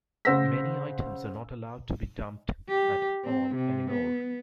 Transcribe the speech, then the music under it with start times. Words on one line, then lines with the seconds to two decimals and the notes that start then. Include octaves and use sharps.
Many items are not allowed to be dumped at all anymore.
0.25 C#3 C5 F#5 E6 A#6 B6
2.69 G4
3.25 C4
3.55 C3
3.91 B3